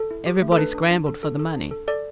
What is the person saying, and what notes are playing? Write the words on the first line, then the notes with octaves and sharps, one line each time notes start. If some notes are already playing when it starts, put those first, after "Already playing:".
Everybody scrambled for the money.
Already playing: A4
E4
G4
A3
A4
D4 B4
D4
D4
A4
A4
A4
D4
A4
A4 D5